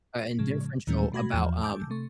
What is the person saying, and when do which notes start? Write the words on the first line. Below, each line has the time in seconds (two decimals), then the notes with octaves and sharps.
uh, and differential about, um,
0.39 A2 C#3 F3 G#3
0.87 D#2 A#2 E3 G3 A3 C#4
1.13 B2 A3 F#4 B5 G#6 A#6
1.33 E2 F3
1.62 G#5 A5 D6 E6 G6
1.90 C3 A3 C#6